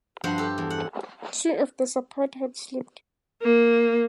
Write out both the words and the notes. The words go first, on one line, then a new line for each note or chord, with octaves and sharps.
Two of the supports had slipped.
G2 F3 F#4 C5 F#5
G4 A4
E2
F#5
A#3